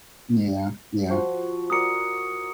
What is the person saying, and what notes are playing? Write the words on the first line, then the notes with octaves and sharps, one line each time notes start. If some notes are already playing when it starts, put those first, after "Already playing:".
Yeah, yeah.
F3 F#4 C6
F#4 A#4 D5 D#6 C#7